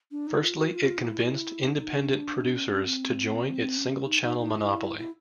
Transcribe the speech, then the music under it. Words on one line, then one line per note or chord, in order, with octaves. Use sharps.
Firstly, it convinced independent producers to join its single channel monopoly.
D4
D#4
F4
F#4
F4
D#4
E4
D#4
D4
C#4
C#4
C4
C4
C#4
D#4
D#4
D#4
E4
E4